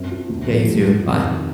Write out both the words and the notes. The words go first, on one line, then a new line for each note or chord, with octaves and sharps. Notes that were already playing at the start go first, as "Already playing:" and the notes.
Yeah, you too, bye.
Already playing: F#2 C4
F#3
D2
F3
G2
F#3
F2
D#3